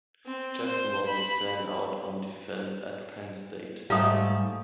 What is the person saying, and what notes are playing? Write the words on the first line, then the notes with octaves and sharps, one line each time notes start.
Jackson was a standout on defense at Penn State.
C4
C5
B5
G#2 G3 A3 A#3 F5 D#6